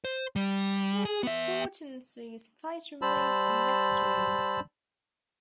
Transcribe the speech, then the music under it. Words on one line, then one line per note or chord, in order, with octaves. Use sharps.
So Hortense's fate remains a mystery.
C5
G3
G#4
B3 E5
G3 C5 A5 B5 E6